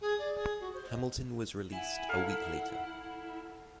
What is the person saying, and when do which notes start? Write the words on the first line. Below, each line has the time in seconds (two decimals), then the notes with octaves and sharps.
Hamilton was released a week later.
0.01 G#4
0.18 D5
0.34 G#4
0.60 F#4
0.73 C5
0.87 D#5
1.73 E4 F#5 G#5
2.09 A4 A#4 F5 F#5